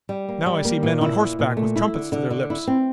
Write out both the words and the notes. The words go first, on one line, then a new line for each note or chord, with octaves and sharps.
Now I see men on horseback with trumpets to their lips.
G3
A#3
G3
A#3
A#2
E4
A#2
A#2
A3
E4
D3
D3
D3
E4
C4